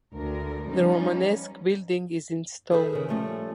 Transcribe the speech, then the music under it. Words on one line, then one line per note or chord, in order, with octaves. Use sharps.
The Romanesque building is in stone.
D2 A#4
F3 G3 B3 C#4 D#4
G#4 A4 B4 C5 E5
C#3 A#4
F3 G3 A3 C4 C#4